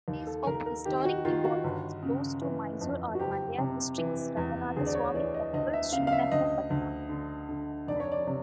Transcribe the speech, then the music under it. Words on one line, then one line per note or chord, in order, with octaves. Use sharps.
Places of historic importance close to Mysore are Mandya District's Ranganathaswamy Temple, Srirangapatna.
D#2
A4
D#2 A#4
A#4
D#3 G4
F#4
D#3 F4
F#4
G1
C#3
E3
F2
F#4
F#1 G4
C3
E3
E2
D2 G#4
D5
C#5
E3 D5
D#5
D2 D#5
E5
C#3 F5
F5
E5
D2 D#5
D2
D3
D3
F1 D5
C#5
D5
C3